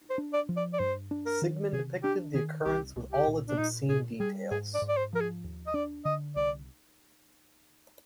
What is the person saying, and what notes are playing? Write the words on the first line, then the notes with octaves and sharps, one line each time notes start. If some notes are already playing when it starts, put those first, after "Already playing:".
Sigmund depicted the occurrence with all its obscene details.
C5
D4
D5
F3
D5
D5
G2 C5
D4
A#4
D#3
C3 G#4
D4 G4
D#3 G#4
C2 G4
C2
G4
A#2
D4
A#2 D#4
A#2 G#4
G3 G#4
G#2 G#4
D5
G#2
D5
C5
F3 A#4
G#4
D#2
D#5
D4 D5
D3 D#5
C2 D5